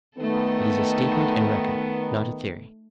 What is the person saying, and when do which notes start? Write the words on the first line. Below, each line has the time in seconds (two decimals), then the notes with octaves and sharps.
It is a statement and record; not a theory.
0.18 D#3 A3 B3 D#4 A4